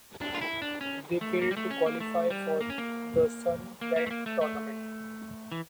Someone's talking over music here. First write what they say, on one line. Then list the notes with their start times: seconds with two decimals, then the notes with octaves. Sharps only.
They failed to qualify for the Sun Belt Tournament.
0.21 D4
0.35 F4
0.41 E4
0.62 D4
0.81 C#4
1.21 A3
1.42 A#3
1.51 G3
1.57 A3
1.71 C#4
1.86 A#3
2.00 A3
2.30 G3
2.61 A#3
2.70 C#4
2.78 A#3
3.81 A#3
3.96 A#3
4.07 A3
4.11 A#3
4.26 A3
4.41 A3
5.52 E3